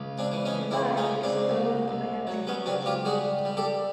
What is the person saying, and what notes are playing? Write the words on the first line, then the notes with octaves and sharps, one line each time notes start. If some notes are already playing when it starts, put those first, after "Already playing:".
Divide is a growing, planned community.
Already playing: C#2
C4 D4
E3
C#4 D#4
C#2 D4 E4
C#4 D#4
C#2
C4 D4
C2
C2
F#3
B3 C#4
C#2 C4 D4
F4 G4
G3 F#4 G#4
G3
G4 A4